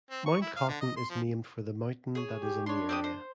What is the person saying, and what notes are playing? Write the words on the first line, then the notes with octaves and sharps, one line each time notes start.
Mount Cotton is named for the mountain that is in the area.
C4
C#6
E4
F5
D3
D#5
C6
F3
G#4 C#5
G4
D4 C#5 C6
C4 G4 D#6
C5